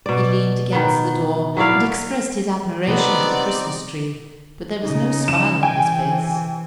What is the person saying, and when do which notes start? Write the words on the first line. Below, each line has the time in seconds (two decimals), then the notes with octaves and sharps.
He leaned against the door, and expressed his admiration of the Christmas tree, but there was no smile on his face.
0.06 B2 D5
0.72 D#3 B3
1.57 F#3 E4 D5 F5
2.88 C3 B3 C4 D#4 D5
4.81 C#3 D#4
5.28 E7
5.63 C3 E3 G5 G#5